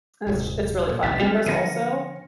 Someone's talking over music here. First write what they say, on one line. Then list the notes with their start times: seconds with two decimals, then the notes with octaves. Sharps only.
it's it’s really fun, and there's also
0.27 D#1 C2 G#2
0.89 A#2
1.03 B1 B2 D#3 A6 B6
1.20 G3 B3 C4 G#4 F6
1.46 D3 F3 B3 A#6 C#7 D#7